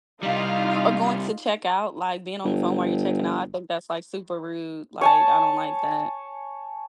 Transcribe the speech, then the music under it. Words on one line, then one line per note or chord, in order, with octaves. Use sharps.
or going to check out, like, being on the phone while you're checking out, I think that's like super rude, like, I don't like that.
C2 G3 D#4 F4 F5
G1
C#5 G#5 A5